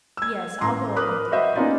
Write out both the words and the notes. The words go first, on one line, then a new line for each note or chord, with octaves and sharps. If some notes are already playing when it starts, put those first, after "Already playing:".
'Yes, I'll go away, dear.
E6 G#6
A1 A#5 C6
A#4 B4 B5 D6 D#6 F#6
F#4 C5 D#5 E5
A#3 B3 C#4 D#4 F4 D5